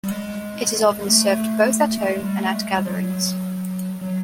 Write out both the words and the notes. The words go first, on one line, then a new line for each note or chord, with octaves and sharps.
It is often served both at home and at gatherings.
G3
G#3
A3
A3
G#3
G3
A3
G#3
G3
F#3
F#3